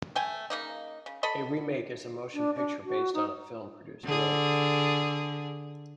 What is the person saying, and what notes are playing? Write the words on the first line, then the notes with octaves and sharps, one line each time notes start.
A remake is a motion picture based on a film produced earlier.
A3 G5 G#5
C#3 A#3 D#4
C#3
A4 D#5 B5
D4
D4
F#4
D#4
D3 G#4